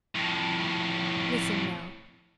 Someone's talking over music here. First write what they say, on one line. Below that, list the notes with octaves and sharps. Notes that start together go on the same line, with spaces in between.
Listen now.
F2 A2